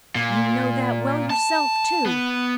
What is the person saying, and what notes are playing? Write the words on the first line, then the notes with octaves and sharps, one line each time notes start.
You know that well yourself, too.
A#2
A5
B3